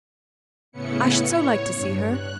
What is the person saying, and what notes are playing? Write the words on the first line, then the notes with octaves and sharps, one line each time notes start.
I should so like to see her.
A2 C#3 B3 C#4 E4 C#7
C#5
G2
F#6